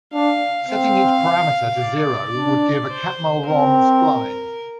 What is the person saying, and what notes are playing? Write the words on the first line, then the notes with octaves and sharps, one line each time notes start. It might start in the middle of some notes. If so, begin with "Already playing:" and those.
Setting each parameter to zero would give a Catmull-Rom spline.
D4 F5
C4 F5
D5
D4
C5
C4 A#4